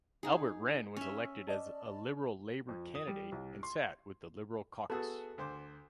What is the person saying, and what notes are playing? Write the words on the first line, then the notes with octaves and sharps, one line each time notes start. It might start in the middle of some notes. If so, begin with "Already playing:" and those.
Albert Wren was elected as a Liberal-Labour candidate and sat with the Liberal caucus.
D#4 G#4
C#4 E5
D5 D#5 A5
F2
D#6
G3
C2
C6
B3 F#4 G#4 A4
D2 C5 D6